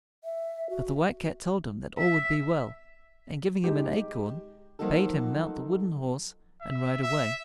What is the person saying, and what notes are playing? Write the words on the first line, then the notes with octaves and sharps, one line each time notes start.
But the White Cat told him that all would be well, and giving him an acorn, bade him mount the wooden horse and ride away.
E5
F#4
E5
G#3 D#4 G4
F3 F#3 A#3 D#4 F#4 A4
E5
E5